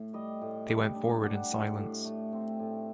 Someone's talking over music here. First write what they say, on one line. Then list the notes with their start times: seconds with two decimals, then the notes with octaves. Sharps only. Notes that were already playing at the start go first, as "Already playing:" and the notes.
They went forward in silence.
Already playing: A2
0.13 G3 D#5
0.41 A2
0.68 G3
0.95 D4
1.23 G3 F#5
1.51 A2
1.78 A2
2.05 A3
2.32 C4
2.59 A2